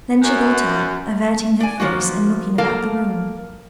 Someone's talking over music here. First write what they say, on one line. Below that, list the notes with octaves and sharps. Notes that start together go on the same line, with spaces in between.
Then she got up, averting her face and looking about the room.
F#2
D5 G#5
D#3 F3 A#3 F#4
A#3 A4 A#4 F5